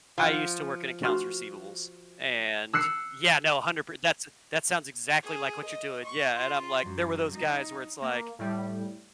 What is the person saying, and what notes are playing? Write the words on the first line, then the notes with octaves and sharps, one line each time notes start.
I used to work in accounts receivables and Yeah, no, a hundred per that's a that sounds exactly like what you're doing, yeah, and I'm like, there were those guys where it's like,
F3 F5 F#5
F#4 C6 F6
E6 F#6 C7 C#7
G#4
D#5
C#6
F4
F#2
D#4
A#3
A2 G3